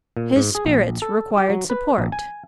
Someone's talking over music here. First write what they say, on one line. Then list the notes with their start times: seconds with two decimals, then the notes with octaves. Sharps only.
His spirits required support.
0.17 A#2
0.36 G#2
0.55 G#4
0.66 A#1
1.02 A4
1.37 G4
1.50 F#3
1.70 B4
1.98 A#1
2.12 G#5